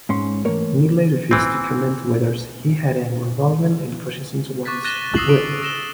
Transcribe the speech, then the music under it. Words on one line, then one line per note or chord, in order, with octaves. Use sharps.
Midgley refused to comment whether he had any involvement in processing Wang's will.
G#2 C#4 C6
E3 A3 A#3 A#4 C#5
E3 C4
C#6 D6 F#6 A6 B6
F#6 A6 A#6 D#7 E7 G7
A#6
D#6 E6 A#6 C7 E7 F#7
D7
E6 A#6 E7 G7